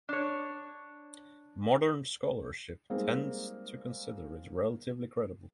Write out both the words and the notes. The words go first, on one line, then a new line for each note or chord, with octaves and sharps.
Modern scholarship tends to consider it relatively credible.
D4 C#5
G3 G#3 A#3 C4 D#4 G#4